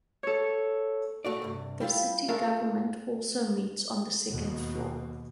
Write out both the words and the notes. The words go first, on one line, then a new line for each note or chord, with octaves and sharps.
The city government also meets on the second floor.
A4 C#5
A3 F#4 D5
C2 G2
G3 E4 F4 F5
G#3 A3 F4 A#4 E5 F5
D#2 B2